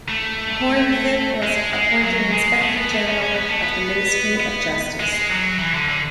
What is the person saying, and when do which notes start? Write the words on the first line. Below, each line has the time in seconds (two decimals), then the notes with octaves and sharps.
Pornthip was appointed Inspector General of the Ministry of Justice.
0.09 A3
1.43 G#3
1.73 G#3
2.02 F#3
2.31 G#3
2.61 A3
2.76 B3
2.91 A3
3.07 C#4
3.21 C#4
3.35 B3
3.49 A3
3.63 B3
4.40 B3
5.00 G#3
5.30 F#3
5.59 E3
5.74 D3
5.89 D3